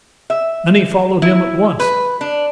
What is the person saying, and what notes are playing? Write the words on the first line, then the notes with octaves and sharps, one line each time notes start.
Many followed him at once.
E5
E4
B4
D4